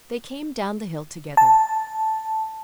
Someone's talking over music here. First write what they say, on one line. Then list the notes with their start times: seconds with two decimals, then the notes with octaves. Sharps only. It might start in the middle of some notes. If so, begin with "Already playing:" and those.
They came down the hill together.
1.37 A5